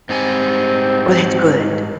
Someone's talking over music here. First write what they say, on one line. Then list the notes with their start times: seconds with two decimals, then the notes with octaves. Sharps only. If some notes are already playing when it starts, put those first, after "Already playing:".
Oh, that's good.
0.09 G#2 G3 C4 G#5